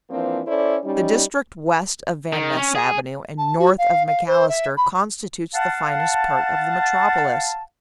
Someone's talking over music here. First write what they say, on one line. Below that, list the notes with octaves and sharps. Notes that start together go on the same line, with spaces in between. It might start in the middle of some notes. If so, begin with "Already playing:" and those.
The district west of Van Ness Avenue and north of McAllister constitutes the finest part of the metropolis.
E3 F3 A#3 C4 D4 F4
C#4 E4 A4 C5 D5
G3 C#4 D#4
D#3
C#4
G#4
A5
F#4
F5
F5
C5
E5
B5
F5 F#5 A5